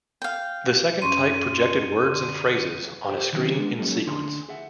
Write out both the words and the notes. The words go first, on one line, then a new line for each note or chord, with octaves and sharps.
The second type projected words and phrases on a screen in sequence.
F5 G5
F#2 C#4 C6 C#6 D#7
D3
G4 C5 G5
D#3 E3 F#3 G3 B3 C#4
G#3 B3 D4
F#3 A#3 C#4 D#4 G4 A4
D2 D3 G#5 C6
G#4 E5 F#5